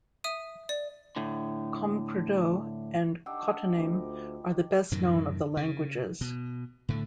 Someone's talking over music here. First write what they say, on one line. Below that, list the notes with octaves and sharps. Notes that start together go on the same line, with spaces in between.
Comecrudo and Cotoname are the best known of the languages.
E5 D#6 D#7
D5
A2 D3
D4 D#4 G4 F#5 E6
D2 F4
F#2 A2 C3 D#3
C#3
B2
A2 D3 A3